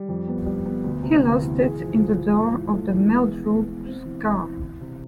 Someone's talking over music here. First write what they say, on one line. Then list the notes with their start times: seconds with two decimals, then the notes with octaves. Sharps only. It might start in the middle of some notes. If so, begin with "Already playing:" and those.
He lost it in the door of the Meldrews' car.
Already playing: G3
0.08 F2
0.28 B3
0.46 G3
0.65 B3
0.84 D2
1.03 C3
1.22 D2
1.40 E3
1.60 G#4
1.79 F3
1.98 F3
2.17 F3
2.35 G#2
2.54 E3
2.74 A3
2.92 E3
3.11 G#3
3.29 B3
3.49 B3
3.68 B3
3.86 C4
4.05 E3
4.24 E3
4.43 E3
4.62 E3
4.81 C3